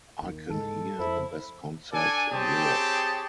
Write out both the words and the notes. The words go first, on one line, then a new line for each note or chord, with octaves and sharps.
I can hear the best concerts in Europe.
D#2 D#3
G#2 E3 G#3 A4
F2 E4 C5
D4 A4 D5 G#5
C4 G4 G#4 C#5 G5 A5